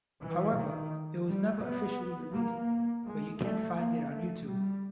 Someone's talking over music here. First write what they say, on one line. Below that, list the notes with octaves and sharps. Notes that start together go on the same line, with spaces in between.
However, it was never officially released, but you can find it on youtube.
E3
D#3
G3
B3
A#3
G#3
A3
A#3
A3
G3